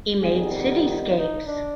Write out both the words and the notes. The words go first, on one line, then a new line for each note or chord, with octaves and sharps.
He made cityscapes.
F2 D#3 G3 B3 G#4
G4
D#4
D#4
D4